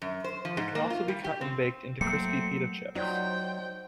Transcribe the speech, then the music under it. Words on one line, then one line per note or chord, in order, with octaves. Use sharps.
It can also be cut and baked into crispy pita chips.
F#2
C5
F3
G#2
A#3
F4
G3
G4
C4
F#3 A3 A#3 C4 C#7
F#3 D#4 F4 C5 D5 G5